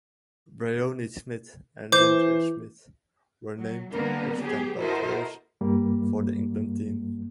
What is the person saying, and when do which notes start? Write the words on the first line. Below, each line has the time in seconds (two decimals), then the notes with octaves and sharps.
Bryony Smith and Linsey Smith were named as standby players for the England team.
1.92 E3 C5 D6 G6
3.59 F#3
3.92 D3 G3 A#3 B3 A#4
4.41 F#3 B3 G4 G#4
4.78 E4 F#4 A4 A#4 C5 D#5
5.61 G2 G3 A#3